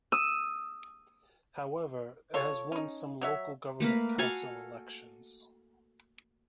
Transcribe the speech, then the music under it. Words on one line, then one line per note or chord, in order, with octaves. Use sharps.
However, it has won some local government council elections.
D#6 E6
F4 A4 C#5
C#4 D#4
F#3 C#5 E5
A3 A#3 A#4 B4
F#4 A4 F5 G#5